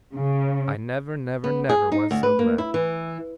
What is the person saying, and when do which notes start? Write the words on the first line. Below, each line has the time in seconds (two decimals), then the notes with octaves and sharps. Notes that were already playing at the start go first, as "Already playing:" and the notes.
'I never, never, never was so glad!
0.15 C#3
1.44 B3
1.69 G#4
1.92 D#4
2.11 D2
2.23 B4
2.39 A#3
2.58 E4
2.74 E3